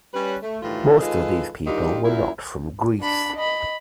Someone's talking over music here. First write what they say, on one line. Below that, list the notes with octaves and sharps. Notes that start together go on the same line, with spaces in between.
Most of these people were not from Greece.
G3 C#4 B4
A3
A2 D#3 E3 G3 A3 F4
D#3 G#3 F4 A4 B4 D#5
D3 D#3 G3 D#4 F4 G4
F#2 A#2 E4
D4 B5
D#5 B5